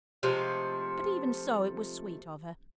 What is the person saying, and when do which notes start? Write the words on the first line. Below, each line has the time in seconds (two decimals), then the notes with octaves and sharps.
But even so it was sweet of her.
0.23 C3 F3 G#3 A3